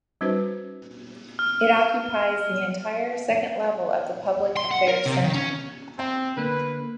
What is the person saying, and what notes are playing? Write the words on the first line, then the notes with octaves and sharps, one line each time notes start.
It occupies the entire second level of the Public Affairs Center.
G3 C#4 D#4 F#4 B4 C5
F6
C6
F#5
A#4
C3
D#3
C#4
C4
D3 A#3 B4